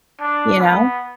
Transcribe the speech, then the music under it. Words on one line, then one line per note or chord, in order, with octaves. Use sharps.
You know?
D4
B3